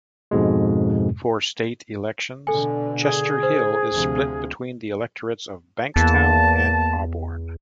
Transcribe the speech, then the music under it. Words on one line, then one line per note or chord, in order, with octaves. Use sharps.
For state elections, Chester Hill is split between the electorates of Bankstown and Auburn.
F2 G#2 B2 G#3
B2 D3 A4 G#5
G#4
C5
D2 C3 F3
E2 A#3 A5